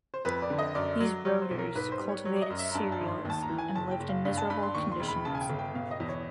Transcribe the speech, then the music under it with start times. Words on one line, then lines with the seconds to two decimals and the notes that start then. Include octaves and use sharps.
These "roters" cultivated cereals, and lived in miserable conditions.
0.14 C5
0.25 F2 B4
0.42 D5
0.50 D3
0.59 D#5
0.75 F#2 D5
1.00 F#3
1.25 F#3 C#5
1.42 C5
1.51 B1
1.59 A#4
1.75 G#2 B4
1.92 C5
2.00 G3
2.09 C#5
2.25 F#3 C#5
2.36 D5
2.42 D#5
2.50 F#2
2.59 E5
2.71 A#5
2.75 G2 A5
2.92 A5
3.01 G#1
3.08 C6
3.25 D#2 A5
3.42 A#5
3.50 E3
3.58 G#5
3.75 F#1 A5
3.91 G5
4.00 F#1
4.09 F5
4.25 G2 F5
4.38 A5
4.50 G2 B5
4.63 C6
4.75 D#2 C#6
4.92 C6
5.00 E1
5.08 B5
5.25 C#3 A5
5.35 G#5
5.41 G5
5.50 G1
5.59 G5
5.74 B2 F5
5.91 D#5
6.00 E2
6.09 C#5